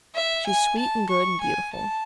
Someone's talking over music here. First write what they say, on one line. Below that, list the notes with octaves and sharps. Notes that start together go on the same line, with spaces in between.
She's sweet and good and beautiful.
E5
G#5
A5
C#6
G#5
A5